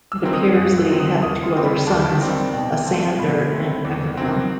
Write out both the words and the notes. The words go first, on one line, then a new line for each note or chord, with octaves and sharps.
It appears that he had two other sons, Asander and Agathon.
E6
D#3 F#3 C4
D#6
F#2 F#5
E6
D#3 F#3 C4
D#6
D#2 D#6
C6
D#3 G3 C4
B5
D#2 A5
D#3 G3 C4
B2 G5
G5
A3 C4 A5
B2 B5
A3 C4
E2
D#3 F#3 C4